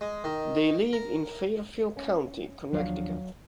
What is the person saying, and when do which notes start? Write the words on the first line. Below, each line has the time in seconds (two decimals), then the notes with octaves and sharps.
They live in Fairfield County, Connecticut.
0.01 G#3
0.24 D#3
0.93 A#4
1.97 C#4
2.73 D#2 F3 F#3 D4 F5